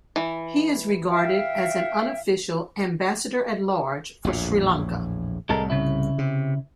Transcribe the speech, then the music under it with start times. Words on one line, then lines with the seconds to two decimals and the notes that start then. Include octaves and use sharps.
He is regarded as an unofficial "Ambassador-at-Large for Sri Lanka".
0.16 E3
1.09 E5 F5 G5
4.25 A#1 E2 A2
5.49 C2 A2 G#3 A4 A#4
5.70 C#3 E4
6.18 C3